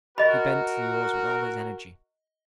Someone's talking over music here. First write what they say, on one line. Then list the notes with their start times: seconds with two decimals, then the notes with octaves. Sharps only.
He bent to the oars with all his energy.
0.18 F#4 A#4 D#5 B5